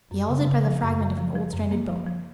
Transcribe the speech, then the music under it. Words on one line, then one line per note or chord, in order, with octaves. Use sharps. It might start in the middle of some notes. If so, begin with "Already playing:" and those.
He halted by the fragment of an old stranded boat.
F#2
C#3
C#3
F3
F#2 A#5
F#2
F3
F3
F#2
A#3
F3
F3